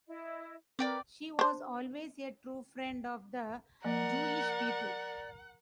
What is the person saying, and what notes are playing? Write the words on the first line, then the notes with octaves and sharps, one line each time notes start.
She was always a true friend of the Jewish people.
E4 D#5
C4 A#4 B4 D5 G5 D6
D4 C5
F3 A#3 A#4 D5 F#5